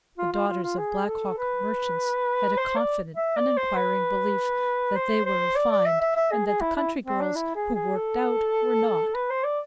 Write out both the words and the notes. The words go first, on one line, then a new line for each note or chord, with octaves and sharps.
The daughters of Black Hawk merchants had a confident, uninquiring belief that they were "refined," and that the country girls, who "worked out," were not.
F4
F4
F4
F4
G#4
A4
B4
C5
D5
E5
D5
C5
B4
C5
C5
D5
D5
E5
E5
E5
G#4
G#4
E4
E4
C4
D4
E4
G#4
G#4
A4
B4
C5
D5